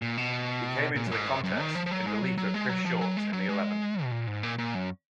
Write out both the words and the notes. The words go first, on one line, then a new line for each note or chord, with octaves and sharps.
He came into the contest in relief of Chris Short in the eleventh.
A#2
B2
A#2
F#2
G#2
F#2
F#2
D#3
F3
F3
F#3
G#3
F#3
F#3
G#3
F#3
F3
F#3
G#3
F#3
G#3
B2
A#2
G#2
A#2
A#2
F#2